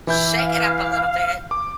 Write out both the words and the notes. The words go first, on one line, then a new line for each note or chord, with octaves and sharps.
shake it up a little bit.
E3 E4 G6
F5
D6